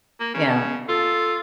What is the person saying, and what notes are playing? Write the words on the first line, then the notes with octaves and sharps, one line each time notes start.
you know,
A#3
C#3
F4 A4